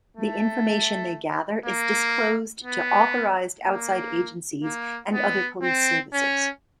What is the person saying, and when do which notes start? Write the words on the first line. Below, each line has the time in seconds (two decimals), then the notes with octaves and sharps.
The information they gather is disclosed to authorised outside agencies and other police services.
0.17 A3
1.66 A#3
2.64 B3
3.64 A#3
4.64 A#3
5.13 B3
5.63 C4
6.13 C#4